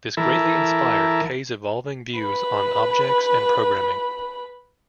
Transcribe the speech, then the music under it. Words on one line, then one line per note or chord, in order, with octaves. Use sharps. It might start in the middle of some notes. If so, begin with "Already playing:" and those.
This greatly inspired Kay's evolving views on objects and programming.
E3 E4 A4 A#4
B4 B5